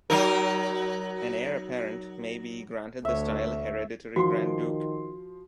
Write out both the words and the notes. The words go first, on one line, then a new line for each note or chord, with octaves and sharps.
An heir apparent may be granted the style 'Hereditary Grand Duke'.
F#3 D#4 A#4
D2 C#5 E5
D#3 F3 F#4 C6